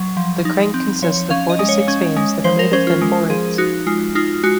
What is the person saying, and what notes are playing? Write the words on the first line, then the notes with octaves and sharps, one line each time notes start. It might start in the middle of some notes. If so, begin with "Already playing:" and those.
The crank consists of four to six vanes that are made of thin boards.
Already playing: F#3
F3
D#4
C4
F3 C#5
C#4 F5
D#5
G#3
C#5
C#4
G#3
F3 C5
A#4
C#4 C5
F4
G#3
F3 G#4
D#4 F#4
G#3 F4
D#4 F4
G#3 F#4